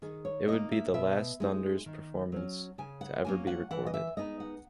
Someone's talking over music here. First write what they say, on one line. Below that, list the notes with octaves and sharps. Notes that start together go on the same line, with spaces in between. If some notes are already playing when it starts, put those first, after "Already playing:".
It would be the last Thunders performance to ever be recorded.
D#3 G#4
C#5
A#3 D#4 D#5
E5
B2 E5
G#3 D#4
D#3
F#3 C#4
C#3 G#5
F#5
F#3 A#3 C#4 G#5
F#5
E3 F#5
D#5
E5
G#3 B3 D#4 D#5
F#5